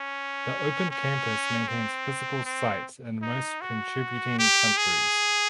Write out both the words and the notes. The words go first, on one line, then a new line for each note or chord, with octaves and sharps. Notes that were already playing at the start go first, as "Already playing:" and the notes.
The Open Campus maintains physical sites in most contributing countries.
Already playing: C#4
C#4
C4
C4
D#4
F#4
G4
G#4